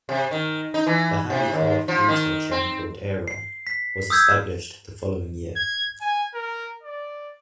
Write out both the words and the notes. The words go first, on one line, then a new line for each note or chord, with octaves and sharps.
The handicraft retail chain called Aarong, was established the following year.
C3
D#3
D#4
E3
C3
D#2
F3
D#3
C4
C7
B6
D#6 E6 G6 G#6
G#6
G#5
A#4
D5